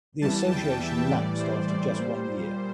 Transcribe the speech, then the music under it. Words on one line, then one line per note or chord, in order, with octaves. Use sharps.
The association lapsed after just one year.
E2 E3 G3 A5
G5
E5
A2 E3 G3 D5
C5
D5
A#2 G3 C5